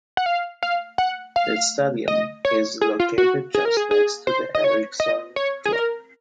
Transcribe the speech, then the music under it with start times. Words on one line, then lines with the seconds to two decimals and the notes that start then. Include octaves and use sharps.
The stadium is located just next to the Ericsson Globe.
0.17 F#5
0.26 F5
0.63 F5
0.98 F#5
1.36 F5
2.08 D#5
2.45 C#5
2.82 G#4
3.00 F4
3.18 F#4
3.55 G#4
3.65 A#4
3.77 G#4
3.91 G#4
4.27 C5
4.55 D#5
4.64 C#5
5.00 D#5
5.36 C#5
5.66 G#4
5.73 A#4